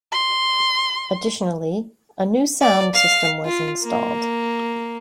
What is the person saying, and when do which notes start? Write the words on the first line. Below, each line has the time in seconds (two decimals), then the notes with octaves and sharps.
Additionally, a new sound system was installed.
0.12 C6
2.62 D5
2.94 F5
3.45 F4
3.83 A#3